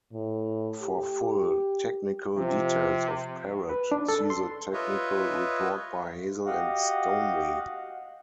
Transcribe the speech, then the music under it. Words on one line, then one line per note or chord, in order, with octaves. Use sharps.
For full technical details of Parrot, see the technical report by Hazel and Stoneley.
A2
G4
C3 F3
B4
D4
A4
C6
F4 B4 C#5 D#5 E5
F#4 G4 D#5 F5 F#5